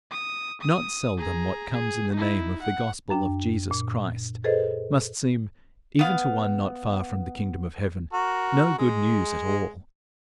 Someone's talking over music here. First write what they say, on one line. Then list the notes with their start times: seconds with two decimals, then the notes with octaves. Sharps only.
Not seldom, what comes in the name of the gospel of Jesus Christ, must seem, even to one not far from the kingdom of heaven, no good news at all.
0.11 D#6
0.61 D#6
1.18 G#4 A#5
1.72 G#4
2.13 D#4 E4
2.62 F#5
3.10 F#2 D4 G5
3.71 A#2
4.44 G#4 A4 B4 C5 D#5
5.99 B3 F5
8.13 F#4 A#4
8.78 G#3